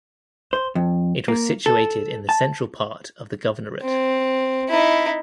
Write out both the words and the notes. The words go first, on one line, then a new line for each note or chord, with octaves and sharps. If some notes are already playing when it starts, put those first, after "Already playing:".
It was situated in the central part of the governorate.
C5
F2
A#3
A4
A5
C4
D#4 E4